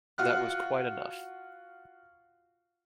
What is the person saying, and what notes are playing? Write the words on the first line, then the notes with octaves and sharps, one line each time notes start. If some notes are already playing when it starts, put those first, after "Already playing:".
That was quite enough.
F4 F#4 F#5 F6 F#6